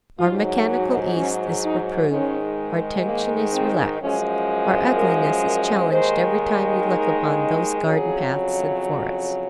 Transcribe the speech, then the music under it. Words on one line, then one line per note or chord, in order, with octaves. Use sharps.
Our mechanical East is reproved, our tension is relaxed, our ugliness is challenged every time we look upon those garden paths and forests.
G#2 F#3 F4
F#4
C#4
D#4
G#2 D#3 G#3 C#4
A#3
C4
F#2 F3 G#3 C#4
A#4
A#4
D#2 D#3 G#3 C5
A#4
F2 C#3 F#3 G#4